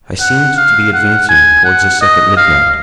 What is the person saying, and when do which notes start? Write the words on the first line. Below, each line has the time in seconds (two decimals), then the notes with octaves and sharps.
I seemed to be advancing towards a second midnight.
0.20 F#5
0.57 F5
0.93 F#5
1.29 G#5
1.64 F#5
2.01 D#5
2.37 F5